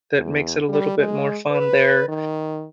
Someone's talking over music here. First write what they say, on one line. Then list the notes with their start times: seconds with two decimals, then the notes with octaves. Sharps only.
that makes it a little bit more fun there.
0.17 E2
0.69 G3
0.99 G#3
1.50 B4
2.08 D#3